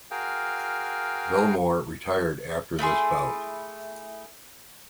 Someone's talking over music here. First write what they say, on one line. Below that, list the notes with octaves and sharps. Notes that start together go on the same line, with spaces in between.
Villamor retired after this bout.
F#4 G#4 A#4 F5 G5
A3 E4 G#4 C6